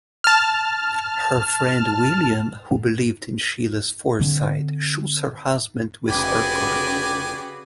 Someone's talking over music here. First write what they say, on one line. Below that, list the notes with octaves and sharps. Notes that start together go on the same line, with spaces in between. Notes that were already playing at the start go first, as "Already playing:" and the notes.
Her friend William, who believed in Sheila's foresight, shoots her husband with her gun.
A5 F6
D3 C4
F1 C#3 F#4 G4 B4 D5 G#5